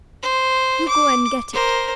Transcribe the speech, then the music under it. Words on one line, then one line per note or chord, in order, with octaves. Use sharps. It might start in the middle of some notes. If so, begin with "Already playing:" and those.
You go and get it.
C5
D6
A#4 C5